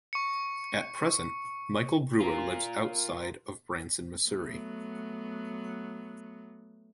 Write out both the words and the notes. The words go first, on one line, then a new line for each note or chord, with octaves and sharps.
At present, Michael Brewer lives outside of Branson, Missouri.
C#6 C#7
F4 A#4
F#3 A3 B3